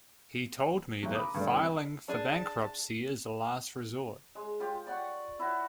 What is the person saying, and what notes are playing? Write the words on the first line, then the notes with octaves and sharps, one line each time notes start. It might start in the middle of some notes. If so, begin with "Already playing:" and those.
He told me that filing for bankruptcy is the last resort.
B1 F#3
A#5 B5 D6 D#6
G2 D3 B4 D5
C2
D4 G#4 A5
G#3
F4 G4 G5
D5 F#5 C#6
E4 F#4